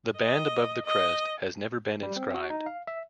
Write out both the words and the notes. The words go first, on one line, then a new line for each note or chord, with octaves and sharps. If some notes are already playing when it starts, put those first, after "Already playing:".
The band above the crest has never been inscribed.
D#5
D#5
G3
C4
F#4
D#4
F5
E5